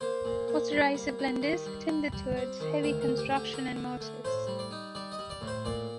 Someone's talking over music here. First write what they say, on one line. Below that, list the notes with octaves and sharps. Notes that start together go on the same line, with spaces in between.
Osterizer blenders tended towards heavy construction and motors.
A#3 C5
A#2
A#3
G3
A#3
G3
D#3
G3
G3
G3
C4
D#3
D2 A#4
A#4
D2
G4
D3
G4
D3 A#4
D3
A3
A2 C5
G3
D5
D#4
G3 D5
D#5
G3
D5
A2
C5
A#2 D5